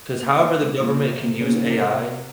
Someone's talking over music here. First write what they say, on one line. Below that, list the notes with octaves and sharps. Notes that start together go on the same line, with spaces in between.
'Cause however the government can use AI,
A#3
C4
A#3
G#3
A#2 G#3
C4
C3
A#3
C#3 A#3
D#3
C#3
C3